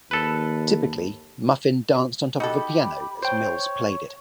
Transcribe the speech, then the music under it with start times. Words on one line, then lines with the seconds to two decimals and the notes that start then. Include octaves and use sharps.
Typically, Muffin danced on top of a piano as Mills played it.
0.11 D#2 A4 B4
2.40 D#4 F#4 G4 A4 B5
3.23 C5 C#5 G5